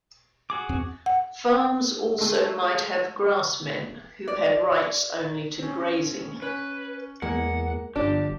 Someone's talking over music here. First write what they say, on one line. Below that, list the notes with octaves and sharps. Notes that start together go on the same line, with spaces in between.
Farms also might have grassmen, who had rights only to grazing.
F#4 G#4 D6
E2 C4
F#5
G#3 A3
D5
C4 C#4
C#4 B4
E2 G#3 A#3 F#5
G1 D3 F3 D4 G4